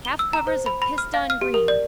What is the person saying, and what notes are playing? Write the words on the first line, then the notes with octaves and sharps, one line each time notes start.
Calf covers of pissedon green.
G7
E6
A#5
C5
B5
B5
F6
F5
F6
G4
A#4
D5